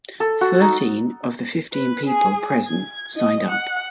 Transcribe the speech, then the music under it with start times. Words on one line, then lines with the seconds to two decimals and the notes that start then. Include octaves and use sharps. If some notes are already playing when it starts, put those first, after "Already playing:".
Thirteen of the fifteen people present signed up.
0.20 A4
0.41 F#4
0.61 D#4
1.73 B4
2.06 G#4
2.68 G#6
3.16 D#5
3.49 F#5